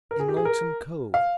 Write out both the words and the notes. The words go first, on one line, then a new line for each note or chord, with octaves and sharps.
"In Lonesome Cove."
A#4
G#4
G4
G#4
A#4
F5